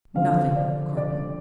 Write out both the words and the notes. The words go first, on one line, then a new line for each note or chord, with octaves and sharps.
"Nothing, Carton."
F2 D3 F3 F5
D5
D5